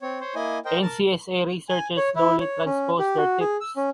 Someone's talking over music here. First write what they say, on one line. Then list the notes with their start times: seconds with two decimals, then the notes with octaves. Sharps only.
NCSA researchers slowly transpose their tips.
0.01 C4 C#5
0.20 C5 C#5
0.35 A#3 E4 D#5 G#5
0.65 A#4 C5 D#5 G5
0.82 A#4 A5
1.69 G#5
1.97 C#5
2.16 E4
2.40 C#5
2.66 C#4
2.99 G4
3.17 F#4
3.40 G#4
3.61 E6
3.77 C#4